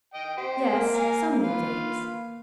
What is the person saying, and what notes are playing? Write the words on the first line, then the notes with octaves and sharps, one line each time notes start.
'Yes, some new things.
D#5 G5
G4 C5
A#3
A#4 F5 G#5
F4 B4 F5